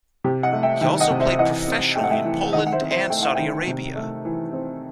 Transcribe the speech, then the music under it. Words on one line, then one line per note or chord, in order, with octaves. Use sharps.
He also played professionally in Poland and Saudi Arabia.
C3 G4
D#5 F#5
A3
E5 G5
D#3 E5 G5
D#5 F#5
C3
C5 E5
E3 D#5 F#5
C4
A3 G5
F#5
E5 G5
E3
D#3 D#5 F#5
F#5
C5 E5
C4
C5 E5
A3 G5
F#5
D#3 E5 G5
C3
A3
E3
C4